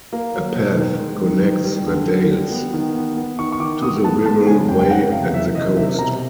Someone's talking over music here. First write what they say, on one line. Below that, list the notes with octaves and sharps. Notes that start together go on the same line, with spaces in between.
A path connects the Dales to the Wirral Way and the coast.
A#3
F#3
B2
D#3
G#3
D#3
D#3
G3
D3
D3
G3
B3
D#3
B3
B3
D#3 C#6
C#6
D#3 D6
B3 D#6
B3 A5
G#3 A5
C#3 G#5
F2 G5
G5
C#3 F#5
C3 F5
E3 E5
C3 D#5
C3 E5
B2 A#5